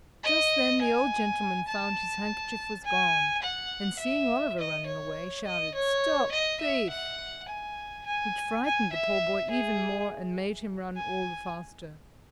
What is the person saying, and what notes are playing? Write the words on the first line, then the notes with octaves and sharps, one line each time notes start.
Just then the old gentleman found his handkerchief was gone and, seeing Oliver running away, shouted "Stop thief!" which frightened the poor boy even more and made him run all the faster.
D#5
G#5
A5
G#5
F#5
E5
D#5
C#5
D#5
C#5
D#5
E5
F#5
G#5
G#5
G#5
E5
G#4
G#5